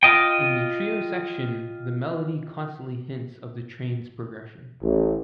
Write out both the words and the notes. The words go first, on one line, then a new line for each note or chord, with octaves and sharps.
In the trio section the melody constantly hints of the train's progression.
F4 D#5 G5
A1